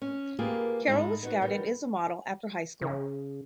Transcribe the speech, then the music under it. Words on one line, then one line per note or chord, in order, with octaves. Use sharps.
Carroll was scouted as a model after high school.
C#4
A#3 F4 G4 G#4 A#4 B4
G#2 G#3 D#4 E4
B3 D#4 F#4
D#3 G3 B3
C#3